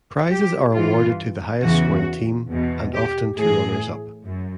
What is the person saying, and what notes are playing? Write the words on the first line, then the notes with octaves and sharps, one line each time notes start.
Prizes are awarded to the highest scoring team, and often to runners-up.
G4
G2 E3 F4
E2 C#3 E3 F#4
E2 B2
G4
A2 E3 G#4
F#2